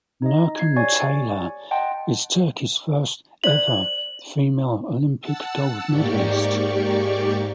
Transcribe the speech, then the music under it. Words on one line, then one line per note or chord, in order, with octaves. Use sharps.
Nurcan Taylan is Turkey's first ever female Olympic gold medalist.
D#4 D#5
G#6 C7
G4 C#5 D5 G#5 C#6 G#6
D#5 F#5 G5 A5 C6
C5 D5 F5 F#7
F#5 A5 E6
G#2 A#3 G4 D5 C#6